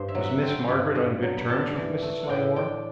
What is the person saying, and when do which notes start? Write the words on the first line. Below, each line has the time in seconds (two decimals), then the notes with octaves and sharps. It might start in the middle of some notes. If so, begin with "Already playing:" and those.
"Was Miss Margaret on good terms with Mrs. Langmore?"
Already playing: G2 C5
0.08 E5
0.15 F#3
0.24 E5
0.29 F#5
0.42 C4
0.48 G5
0.68 G2 B5
0.95 G2
1.22 F#3
1.37 B5
1.49 D4 A5
1.76 E3
2.02 A3
2.24 F#5
2.29 A2 G5
2.55 D4 G5